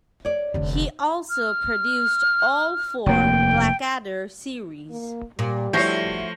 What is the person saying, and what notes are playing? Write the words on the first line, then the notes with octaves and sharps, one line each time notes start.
He also produced all four "Blackadder" series.
C#5 D5
F1 D3
F6
F1 D#2 A#3 G5
A#3
A#2 G3
F3 A3 E4 F#4 C#5 G6 A#6 C7